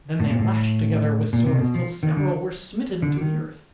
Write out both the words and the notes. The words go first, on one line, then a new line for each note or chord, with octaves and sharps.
Then they lashed together with swords till several were smitten to the earth.
A2
A#2
A2
A#2
C3
B2
F3
D#3
D3
D3
D#3